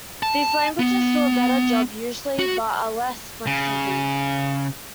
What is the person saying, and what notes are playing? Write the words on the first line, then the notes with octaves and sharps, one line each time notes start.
These languages do a better job usually, but are less flexible.
A5
B3
F#4
C#3